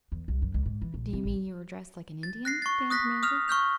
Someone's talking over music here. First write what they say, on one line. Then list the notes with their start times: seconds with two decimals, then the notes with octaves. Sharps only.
'D'you mean you were dressed like an Indian?'Dan demanded.
0.12 E2
0.28 C2
0.42 F#2
0.54 C#2
0.66 G#2
0.82 E3
0.94 A#1
1.13 C3
1.25 A1
2.23 A6
2.45 F#6 A#6 C7
2.62 C#6 A6
2.90 D#6 F#6 A#6 B6
3.23 D#6 F6 F7
3.48 C#6 F6 G6 F7